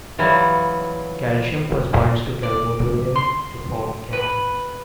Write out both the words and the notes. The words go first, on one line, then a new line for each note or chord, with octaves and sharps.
Calcium first binds to calmodulin to form CaM.
E3 F#3 G3 E4 F4
D5
C6
B4